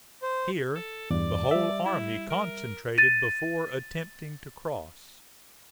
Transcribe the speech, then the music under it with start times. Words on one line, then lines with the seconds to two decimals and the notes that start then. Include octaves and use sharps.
Here the whole army concentrated before attempting to cross.
0.22 C5
0.75 A4
1.10 E2 G2 D5
1.51 G3 E5
1.85 E4
2.30 A#4
2.98 A6 D#7